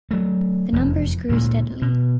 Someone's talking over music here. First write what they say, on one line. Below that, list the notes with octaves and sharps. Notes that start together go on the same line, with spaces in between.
The numbers grew steadily.
F#3 A3
F1 E2
D2 A#2 G#3
B2